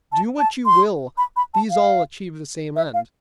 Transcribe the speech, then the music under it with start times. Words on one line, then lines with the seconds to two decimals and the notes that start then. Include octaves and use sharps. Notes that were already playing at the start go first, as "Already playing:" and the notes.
Do what you will, these all achieve the same end.
0.12 A5
0.39 A5
0.66 C6
1.18 B5
1.36 B5
1.54 A5
1.70 F5
2.76 E5
2.94 F5